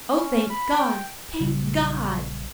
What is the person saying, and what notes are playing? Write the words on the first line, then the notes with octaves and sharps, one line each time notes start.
Oh, thank God, thank God!
C#4
B5
G5
A#1 C#3 F#3 G3